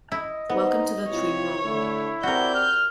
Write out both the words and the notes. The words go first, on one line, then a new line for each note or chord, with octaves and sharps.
Welcome to the dream realm.
E4 D#5
B3 D#4 C5
C3 E4 F4 C#5
D3 A3 E4
C4 F#4 G4 A#4 D5 G6
F6